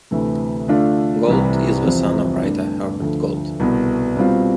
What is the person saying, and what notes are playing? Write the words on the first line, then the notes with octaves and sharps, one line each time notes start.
Gold is the son of writer Herbert Gold.
D2 C3 E3 A3
D3 A3 D4 F4
C2 C3 E3 G3
E2 C3 F3 C4
G2 D3 A3 D4
D2 D3 F3
C2 B2 B3
B2 G3 C4 F4